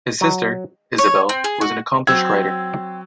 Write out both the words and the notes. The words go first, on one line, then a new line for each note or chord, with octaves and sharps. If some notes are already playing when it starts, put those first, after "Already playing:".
His sister, Isabel, was an accomplished writer.
F#3
C#5
C4
G#4
F#4
F#3 C4 E6 G#6